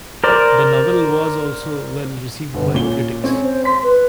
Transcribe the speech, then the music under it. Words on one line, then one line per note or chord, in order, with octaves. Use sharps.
The novel was also well received by critics.
A#4 C5 D5
G1 B3
A#2 C#4 G7
C4 C#4 C#5
C5
C6 B6
B4